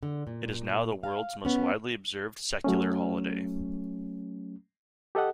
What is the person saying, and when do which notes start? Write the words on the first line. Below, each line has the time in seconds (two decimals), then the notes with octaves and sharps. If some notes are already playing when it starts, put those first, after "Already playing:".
It is now the world's most widely observed secular holiday.
0.03 D3
0.27 A#2
1.03 F5
1.45 B3 C#4
2.64 F#3 A3 C#4
5.15 G4 A4 D#5 F#5